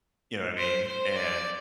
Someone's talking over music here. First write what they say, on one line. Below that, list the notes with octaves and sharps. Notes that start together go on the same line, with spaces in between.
you know what I mean, and
C5
C5
D5